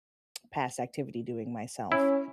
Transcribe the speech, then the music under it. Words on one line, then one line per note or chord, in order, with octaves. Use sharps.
past activity doing myself,
C#4 E4